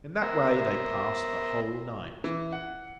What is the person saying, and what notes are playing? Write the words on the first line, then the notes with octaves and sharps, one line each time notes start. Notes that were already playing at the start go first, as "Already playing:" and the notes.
In that way they passed the whole night.
B3 A#4 C5 E5 A#5
E3
F#5